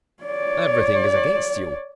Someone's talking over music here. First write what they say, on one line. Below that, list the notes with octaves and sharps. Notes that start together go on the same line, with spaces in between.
Everything is against you.
C#5 D5